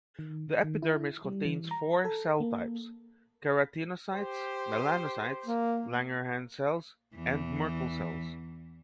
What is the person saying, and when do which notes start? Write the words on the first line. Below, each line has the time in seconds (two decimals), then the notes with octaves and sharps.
The epidermis contains four cell types: keratinocytes, melanocytes, Langerhans cells, and Merkel cells.
0.19 D#3
0.64 D#3
0.82 E4
1.25 G3
1.45 E3
1.71 A#5
2.05 A4
2.40 A#3
4.13 G4 C5
5.46 A#3
7.15 E2 E3